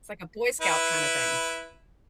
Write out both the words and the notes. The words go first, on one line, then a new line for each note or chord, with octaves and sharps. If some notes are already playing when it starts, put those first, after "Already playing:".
It's like a Boy Scout kinda thing.
E4 B4